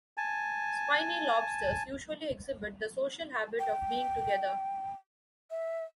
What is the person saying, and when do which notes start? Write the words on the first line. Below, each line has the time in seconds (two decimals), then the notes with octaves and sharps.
Spiny lobsters usually exhibit the social habit of being together.
0.17 G#5 A5
3.59 G5
5.50 E5